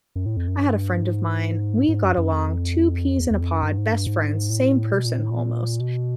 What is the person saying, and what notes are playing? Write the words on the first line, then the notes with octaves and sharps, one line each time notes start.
I had a friend of mine, we got along, two peas in a pod, best friends, same person almost.
F#2
A2
F2
F#2
G2
G#2
G#2
F#2
F#2
F2
E2
E2
F2
F#2
G2
G#2
G2
G#2
A2
B2
A#2
A2
A#2
B2